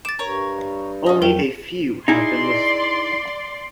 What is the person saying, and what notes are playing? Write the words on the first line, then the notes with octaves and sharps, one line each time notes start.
Only a few have been listed.
D6 A6 E7
G2 A#4 C#5
C#4 D#5
F2 F#3 A3 A#4 G5
D#4 E4 G#4 D5 C6